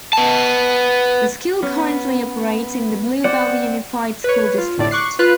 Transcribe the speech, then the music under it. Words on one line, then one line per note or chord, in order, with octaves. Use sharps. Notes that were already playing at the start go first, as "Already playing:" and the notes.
The school currently operates in the Blue Valley Unified School District.
B3 A5
B3 C#4
C4 C5 D5 F#5
B4 C#5
F4
G1 A2 D5
C#6 D6 F#6 C7
F4 B4 F#6